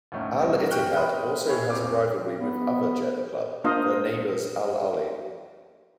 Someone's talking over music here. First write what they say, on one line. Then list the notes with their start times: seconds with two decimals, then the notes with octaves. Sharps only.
Al-Ittihad also has a rivalry with other Jeddah club, their neighbors Al-Ahli.
0.12 D2 A2 D#3 A3 A#3 C#4
0.40 C2 G3
0.71 G5 C#6 F6 F#6 G7
0.96 G5 B5 C6 D#6
1.46 B3 E4 G4 G#4 C#5
1.70 F2 C5 F5 D6
2.37 B3
3.64 A#3 D4 F4 C5 D#5 F5